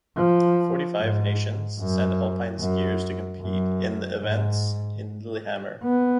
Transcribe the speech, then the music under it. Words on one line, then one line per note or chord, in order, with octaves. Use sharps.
Forty-five nations sent alpine skiers to compete in the events in Lillehammer.
F3
G#2
F#2
F#2
F#2
G#2
B3